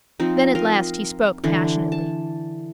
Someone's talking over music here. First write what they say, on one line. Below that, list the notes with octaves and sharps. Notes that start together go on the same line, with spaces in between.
Then at last he spoke passionately.
F3 C4 D#4
A#4 D#5 F5
D3 E3
A5